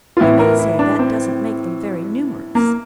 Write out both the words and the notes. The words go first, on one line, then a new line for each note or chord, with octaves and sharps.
You may say that doesn't make them very numerous!
F4
A2 E3 E4
A#4
E4
D4
C4
A#3